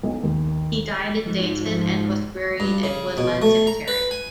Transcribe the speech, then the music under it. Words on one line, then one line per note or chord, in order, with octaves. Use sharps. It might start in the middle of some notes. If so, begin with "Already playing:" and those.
He died in Dayton and was buried in Woodland Cemetery.
B1
D#2
G#2 F3
G2
C#3
B2
A3
A#5
B4
G#5